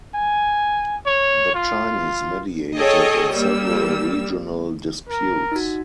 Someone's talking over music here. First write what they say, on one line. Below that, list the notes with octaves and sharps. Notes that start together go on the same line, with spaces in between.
The Chinese mediated in several regional disputes.
G#5
C#5
F4
G#4 A4 C#5 D#5 G5
G3 A#3 E6
A#4
D#4 F#4